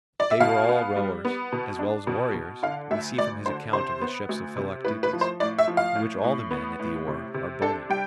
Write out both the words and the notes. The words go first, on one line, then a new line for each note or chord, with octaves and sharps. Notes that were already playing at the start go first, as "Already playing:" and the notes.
That they were all rowers as well as warriors we see from his account of the ships of Philoctetes, in which all the men at the oar are bowmen.
D5
E5
B2 F5
B3
G3
B3
B2
D4
B2
B2
D3 F5
D2 E5
D2 D5
D3 C5
C3 C5
B3
D2
C3
A2 B4
B4
F3
C5
A2 D5
E5
F3
F5
A2
A2
B3
A2
C3
C3
D4 A4
G3 G5